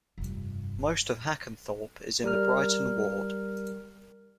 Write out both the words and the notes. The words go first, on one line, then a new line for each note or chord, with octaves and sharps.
Most of Hackenthorpe is in the Beighton ward.
F1 G2
G3 A#4 F6